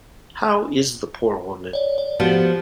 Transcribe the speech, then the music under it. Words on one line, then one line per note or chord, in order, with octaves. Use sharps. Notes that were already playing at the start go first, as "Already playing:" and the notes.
How is the poor woman?
C#5 D5
D5
F3 B3 F#4 G4